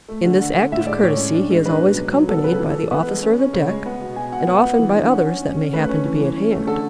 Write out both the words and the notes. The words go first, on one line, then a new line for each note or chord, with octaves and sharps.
In this act of courtesy he is always accompanied by the officer of the deck, and often by others that may happen to be at hand.
A3
D3
D3
D3
A2 E5
G#3 D5
A2 C#5
C#4
D4
G#3
D4 B4
B2
F#3
F#3
B3 A4
C#3 B4
A4
E3
A4
E3
B3 B4
G#3
C#4
C#4
C#3 C#5
G#3
B3
B2
B2 G#5
B2 F#5
B3 F#5
B3
E3
D4
C#4 F#5
C#4
C#4
C#4
A3 B4
C#4
E3
E3
C#4
A3
D3 A4